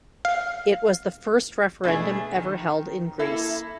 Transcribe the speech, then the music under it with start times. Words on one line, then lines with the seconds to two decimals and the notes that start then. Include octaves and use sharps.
It was the first referendum ever held in Greece.
0.25 F5
1.84 B2 A3 D4 G#4
2.36 D#3
3.19 A#3 E4 A4